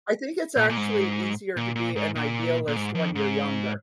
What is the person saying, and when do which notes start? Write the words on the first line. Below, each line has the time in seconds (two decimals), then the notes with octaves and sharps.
I think it's actually easier to be an idealist when you're younger,
0.57 A#2
0.69 A#2
0.77 G#2
1.57 A#2
1.76 A#2
1.96 G#2
2.15 A#2
2.68 A#2
2.76 G#2
2.95 F2
3.15 G#2